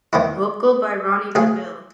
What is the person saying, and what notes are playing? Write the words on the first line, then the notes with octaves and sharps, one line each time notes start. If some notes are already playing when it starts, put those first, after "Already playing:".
Vocal by Ronnie Deauville.
D#3 B3 E4
D2 G#4 F5